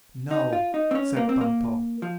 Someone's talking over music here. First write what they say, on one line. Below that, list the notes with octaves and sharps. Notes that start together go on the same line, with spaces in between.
"No," said Bumpo.
D#4
F4
D#4
C4
C#4
A#3
C4
A#3
F3